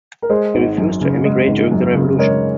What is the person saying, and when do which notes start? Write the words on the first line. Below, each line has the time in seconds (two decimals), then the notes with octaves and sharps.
He refused to emigrate during the Revolution.
0.22 A#4
0.30 G#3 G#4 C5
0.54 G#1
0.78 F#2
1.01 C#3
1.25 G#3
1.48 G#1
1.71 F#2
1.95 C#3
2.19 G#3 A#4 C#5